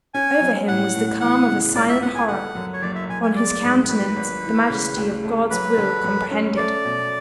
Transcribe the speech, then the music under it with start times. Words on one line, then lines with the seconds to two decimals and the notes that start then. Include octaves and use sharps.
Over him was the calm of a silent horror: on his countenance the majesty of God's will comprehended.
0.14 C#4 G#5
0.41 F#3
0.68 A2 F#5
0.95 A2
1.21 E3 F#5
1.48 C#3
1.75 C#2 D5
1.89 E5
2.02 B3 F#5
2.15 G#5
2.28 D3 F#5
2.55 F#2
2.74 C#5
2.82 F#1 D5
2.95 E5
3.09 F#1 G#5
3.23 G#5
3.36 G#3 D5
3.63 G#2
3.89 G#1 B4
4.16 G#1
4.44 E3
4.70 C#3
4.96 D2
5.24 A3
5.50 F#3 B4
5.77 D3
6.04 F#2
6.31 C#4
6.57 A3 D5
6.85 B2